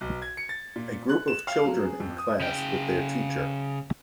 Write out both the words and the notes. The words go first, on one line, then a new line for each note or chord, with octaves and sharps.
A group of children in class with their teacher.
B1
G#6
C#7
A6
A#2
F#6
E7
F5
F#3
G#4
F2
D#6
C#3 G5